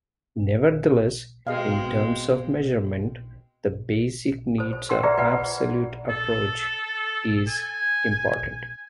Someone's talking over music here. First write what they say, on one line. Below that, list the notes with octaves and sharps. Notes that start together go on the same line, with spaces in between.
Nevertheless, in terms of "measurement", the basic needs or absolute approach is important.
B2 G#3 C4 G#4 D#5 F5
A4 C5
C5
A#4 F#5 G5 C6 E6
G#4 B4 D5 E5 A#5
B4 D5 E5 F#5 B5
A4
G#5